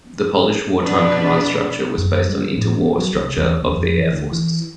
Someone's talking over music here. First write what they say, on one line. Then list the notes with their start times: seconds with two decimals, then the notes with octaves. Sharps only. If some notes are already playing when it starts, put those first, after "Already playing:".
The Polish war-time command structure was based on inter-war structure of the air forces.
0.81 B2 B3 D4 B4 D5
1.98 F#2
2.29 G3
2.58 A2
2.82 B3
2.98 F#3
3.14 C2
3.38 E2
3.63 D#2
3.77 F2
3.98 E3
4.12 D2
4.31 E3